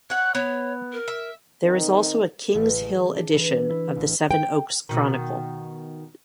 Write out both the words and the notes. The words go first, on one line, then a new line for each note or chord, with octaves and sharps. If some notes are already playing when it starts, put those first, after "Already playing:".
There is also a King's Hill edition of the Sevenoaks Chronicle.
C#5 F#5 F#6
B3 C#5
A#4
E5
D#3 C4 D#4
A1
G#3
D4
E3
E4
A1
G5
B2 D#3